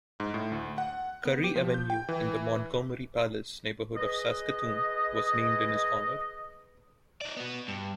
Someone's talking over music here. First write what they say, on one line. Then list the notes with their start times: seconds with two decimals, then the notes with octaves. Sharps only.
Currie Avenue in the Montgomery Place neighborhood of Saskatoon was named in his honor.
0.20 G#2
0.34 A2
0.52 D2
0.78 F#5
1.25 B3
1.44 G4
1.56 F3
1.74 G6
1.90 G5
2.09 E3
3.96 G#4 B4 D#5
7.21 D#4 D5
7.37 B3 F#4
7.68 G2